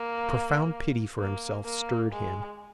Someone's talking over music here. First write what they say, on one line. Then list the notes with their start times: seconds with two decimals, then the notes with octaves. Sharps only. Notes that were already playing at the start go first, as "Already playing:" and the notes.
A profound pity for himself stirred him.
Already playing: A#3
1.18 A#3
1.64 A#3
2.11 G#3